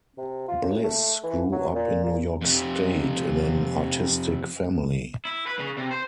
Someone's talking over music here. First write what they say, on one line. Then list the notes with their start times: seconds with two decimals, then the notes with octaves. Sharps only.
Bliss grew up in New York State in an artistic family.
0.18 C3
0.48 F4
0.63 F#2
0.84 A3
1.23 E3
1.52 F#3
1.74 A#2
2.04 A#2
2.42 F2 C3
5.25 E4
5.47 B4
5.59 C#3
5.77 C3
5.91 C5